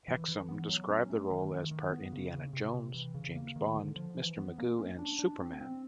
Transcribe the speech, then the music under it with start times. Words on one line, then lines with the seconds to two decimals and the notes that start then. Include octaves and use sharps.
Hexum described the role as part Indiana Jones, James Bond, Mr. Magoo, and Superman.
0.08 E3
0.28 E3
0.49 B3
0.69 F#3
0.90 C#4
1.10 A3
1.30 D#3
1.51 D#3
1.71 D#3
1.92 B3
2.12 C#3
2.33 C#3
2.53 C3
2.74 C3
2.94 E3
3.15 C#3
3.36 A#3
3.56 D#3
3.76 D3
3.96 F3
4.17 E3
4.37 B3
4.58 A#3
4.79 C#4
4.99 D4
5.19 D4
5.40 C4
5.61 C4